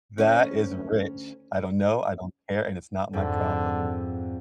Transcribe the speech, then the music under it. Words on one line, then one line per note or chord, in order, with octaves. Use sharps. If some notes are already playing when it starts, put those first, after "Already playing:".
That is rich. I don't know. I don't care, and it's not my problem.
D2 C#4
F2 G#2 D3